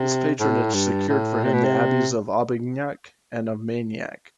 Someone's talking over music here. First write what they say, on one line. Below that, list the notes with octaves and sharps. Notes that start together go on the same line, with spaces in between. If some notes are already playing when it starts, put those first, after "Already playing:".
This patronage secured for him the abbeys of Aubignac and of Mainac.
Already playing: C3
A2
G2
A2
C3
B2
C3